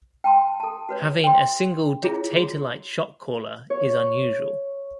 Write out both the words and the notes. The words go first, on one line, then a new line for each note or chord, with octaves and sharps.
Having a single dictator-like shot caller is unusual.
G5 A5 C6
A4 A5
F#4 B4 C#5
G5 C6
E4 F4 G#4 C#5
F#4 G#4
C#5